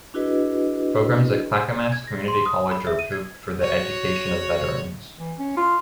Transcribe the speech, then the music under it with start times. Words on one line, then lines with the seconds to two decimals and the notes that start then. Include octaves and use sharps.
Programs at Clackamas Community College are approved for the education of veterans.
0.14 D4 E4 F#4 G#4 B4 D#5
1.92 G#6
2.07 A#6
2.28 C6
2.46 D#6
2.71 B5
2.87 E5
2.99 D#7
3.12 G#6
3.59 F#4 C#5
5.18 E3
5.39 C#4
5.57 F4